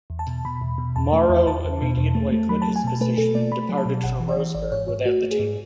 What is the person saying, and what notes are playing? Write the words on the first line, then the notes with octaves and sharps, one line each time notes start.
Morrow immediately quit his position and departed for Roseburg without the team.
E2
A5
B2
B2 B5
E2
B2
E2 A5
A3
E2
E2 A5
E2
B2
E2
A3
A3
F#3 B5
A5
A3
G#5
B2 A5
A3 B4
B2 A4
A3 D5
A3 B5
F#3
A5
B2
G#1 F#5
E3
D5
E3
G#1 D5
G#2 C#5
G#2 C#5
A3 F#4
A3
G#4
G#2